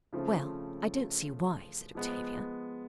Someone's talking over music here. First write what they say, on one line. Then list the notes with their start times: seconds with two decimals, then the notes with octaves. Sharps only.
"Well, I don't see why," said Octavia.
0.13 C#3 F3 A3 C4 F4
1.95 F3 G#3 B3